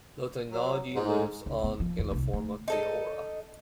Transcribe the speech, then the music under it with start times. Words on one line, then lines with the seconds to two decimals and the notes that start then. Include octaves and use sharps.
The technology lives on in the form of Theora.
0.52 F#3
0.95 G#2
1.46 C#2
1.64 B3
1.80 F3
1.99 F2
2.11 C2 D3
2.33 A3
2.68 D#4 A4 D#5